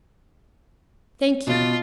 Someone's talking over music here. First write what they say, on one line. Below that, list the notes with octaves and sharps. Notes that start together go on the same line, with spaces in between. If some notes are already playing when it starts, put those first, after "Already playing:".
"Thank you."
B2 F4 A6